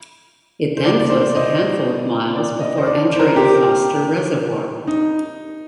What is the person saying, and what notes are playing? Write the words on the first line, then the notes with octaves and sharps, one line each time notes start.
It then flows a handful of miles before entering Foster Reservoir.
C5
D5
D5
C5
D5
D#5
D5
D#5
C5
D5
C5
A#4
G4
D#4